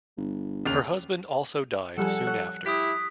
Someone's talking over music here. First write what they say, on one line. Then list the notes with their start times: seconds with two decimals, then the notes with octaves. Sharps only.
Her husband also died soon after.
0.17 G1
0.66 D#2 C#3 F7
1.97 F3 G3 G#4 A4 F#5
2.27 C#5 F#6
2.66 E4 G4 D#6 B6